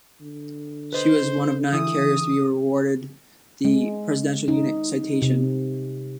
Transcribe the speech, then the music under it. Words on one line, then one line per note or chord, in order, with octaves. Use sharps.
She was one of nine carriers to be awarded the Presidential Unit Citation.
D3
B4 C5 D#5
E3 E4 D#6
G#3
D#4
C3